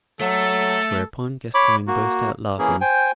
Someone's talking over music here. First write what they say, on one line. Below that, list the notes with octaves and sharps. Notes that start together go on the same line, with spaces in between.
Whereupon Gascoyne burst out laughing.
F#3 A3 A4
C#5 B5 D6
A#3 F#4
E3 A#3 C#4 G#4
C5 G5 G#5